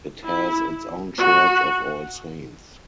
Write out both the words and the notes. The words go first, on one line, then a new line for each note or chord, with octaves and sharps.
It has its own Church of All Saints.
E4
F#4